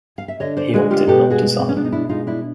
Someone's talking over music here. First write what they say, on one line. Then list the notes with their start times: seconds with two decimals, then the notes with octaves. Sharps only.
He opted not to sign.
0.18 F5
0.28 E5
0.40 D3 C#5 D#5
0.57 C5 D5
0.73 G#3 F#4 G#4
0.91 F4 G4
1.08 B2 G4 A4
1.30 F#4 G#4
1.42 G#3
1.59 C4
1.69 C#4
1.76 B2 D4
1.85 D#4
1.92 D4 E4
2.09 G#3 D#4 F4
2.27 D4 E4